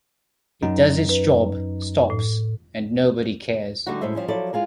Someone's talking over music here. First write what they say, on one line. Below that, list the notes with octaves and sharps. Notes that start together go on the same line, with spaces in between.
It does its job, stops, and nobody cares.
F#2 D#4
B4
A2
D3 G3 A3 D#4 F#4
F#2 A2 G#3 A4 C5 E5
F3 G3 C#4
F3 F#3 E4 A4 D5
G#3 F4 G#4 A#4